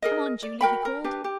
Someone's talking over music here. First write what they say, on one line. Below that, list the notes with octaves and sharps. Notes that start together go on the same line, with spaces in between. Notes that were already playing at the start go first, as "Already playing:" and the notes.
"Come on, Julie," he called.
G#4 A#4 D#5
D5
F#4 A#4 G5 B5
A#4
D4 G4 B4
G4